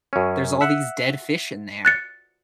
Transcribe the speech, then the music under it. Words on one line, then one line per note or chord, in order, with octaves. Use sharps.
There's all these dead fish in there.
F#2 C#4
E5 F#5
F#6 A6 C#7